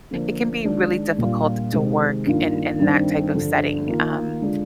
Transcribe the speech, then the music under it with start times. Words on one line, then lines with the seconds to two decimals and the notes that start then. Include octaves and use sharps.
it can be really difficult to work in in that type of setting, um,
0.11 D3 F3 A#3 D4
0.64 D#3 G#3 D4
1.18 A#2 G3 D4 F4
1.72 C3 D#3 G#3
2.26 G2 D#3 A#3 F4
2.80 G2 D#3 G3 C4
3.34 G2 D3 F3
3.87 D#3 A#3 F4
4.41 D3 G#3 D4 F4